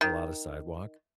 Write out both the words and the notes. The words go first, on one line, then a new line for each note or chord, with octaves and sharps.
a lot of sidewalk.
D#3